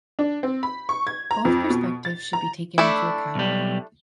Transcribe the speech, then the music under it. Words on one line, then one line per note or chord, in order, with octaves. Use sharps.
Both perspectives should be taken into account.
D4
C4
B5
C#6
G#6
A#5
F2
B2
A6
A#5
A3 D4 E4
B1 G3